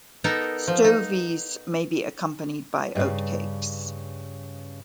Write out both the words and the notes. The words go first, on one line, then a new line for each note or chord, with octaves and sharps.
Stovies may be accompanied by oatcakes.
B3 D#4 A4 A#4
F3
D#4
G2 A#2 C#3